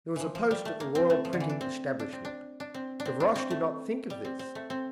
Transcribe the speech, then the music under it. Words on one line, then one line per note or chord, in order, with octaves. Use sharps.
There was a post at the Royal Printing Establishment. Gavroche did not think of this.
E3 F3
F3
G3
A3
A#3
C4
A3
F3
D3
E3
D4
C4
D4
C4
D4
D4
C4
D4
C4
D4
C4
A3
G3
C4
C4
A3
C4